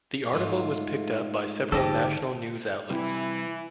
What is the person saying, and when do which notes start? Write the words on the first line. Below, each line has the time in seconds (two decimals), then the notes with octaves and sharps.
The article was picked up by several national news outlets.
0.33 G#2 A3 F4
1.72 G#2 D3 G4 A4 D5 D#5
2.90 C3 E3 G3 E4